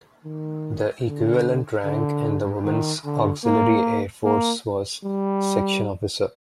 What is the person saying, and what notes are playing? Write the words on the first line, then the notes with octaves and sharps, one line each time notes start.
The equivalent rank in the Women's Auxiliary Air Force was "section officer".
D#3
D3
D3
D#3
D3
A#3
A#3
G3